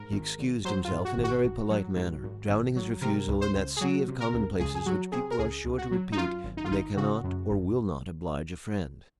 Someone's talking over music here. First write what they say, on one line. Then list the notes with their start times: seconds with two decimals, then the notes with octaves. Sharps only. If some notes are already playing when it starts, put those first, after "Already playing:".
He excused himself in a very polite manner, drowning his refusal in that sea of commonplaces which people are sure to repeat when they cannot or will not oblige a friend.
Already playing: G#2 A#4
0.11 G#1
0.39 G#1
0.65 F#3 C5
0.85 F4
0.91 G#2
1.05 F#4
1.17 G#1
1.24 F#4
1.44 G#1
1.70 F#3
1.96 G#2
2.23 G#1
2.49 G#1
2.76 F#3
3.02 C3 A#4
3.28 C#2
3.41 C5
3.55 C#2
3.77 G#4
3.81 F#3 F#4
4.07 C3
4.20 A#4
4.34 C#2
4.59 C#2 G#4
4.75 G#4
4.86 F#3 F#4
5.12 C3 G#4
5.31 A#4
5.39 C#2 G#4
5.65 C#2
5.78 F#4
5.91 F#3
6.12 D#4
6.17 F#2 F4
6.44 G#1
6.57 D#4
6.65 F4
6.70 G#1 D#4
6.97 C#3 F#4
7.24 F#2
7.50 G#1